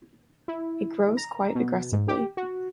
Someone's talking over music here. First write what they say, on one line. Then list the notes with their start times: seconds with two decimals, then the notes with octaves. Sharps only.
It grows quite aggressively.
0.48 E4
1.17 A#5
1.55 B2
1.92 G#2
2.08 G4
2.37 F#4